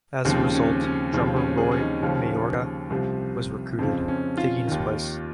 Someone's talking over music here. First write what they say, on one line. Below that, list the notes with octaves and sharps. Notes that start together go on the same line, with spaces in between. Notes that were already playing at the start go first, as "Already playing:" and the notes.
As a result, drummer Roy Mayorga was recruited, taking his place.
D#2 C#3 F3 C4
C#4
C#4
D#2 C#3 F3 C4
C#4
G#4
C#4
D#4
D#2 C#3 F3 C#4
C2 C3 F3
F2 C#3 F3 C4
C#4
F4
D#2 D#3